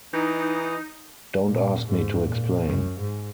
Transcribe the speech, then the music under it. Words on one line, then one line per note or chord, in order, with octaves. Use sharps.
Don't ask me to explain.
E3 D#4
A#2
G#2
A#2
F#2
G#2